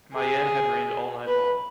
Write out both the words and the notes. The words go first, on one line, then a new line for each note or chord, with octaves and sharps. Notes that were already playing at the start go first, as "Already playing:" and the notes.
Mayenne had rained all night long.
G#4
B4